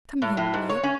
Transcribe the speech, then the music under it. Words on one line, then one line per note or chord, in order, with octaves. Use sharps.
Come here, Maria!
A2
A2
G#2
C#5
C#4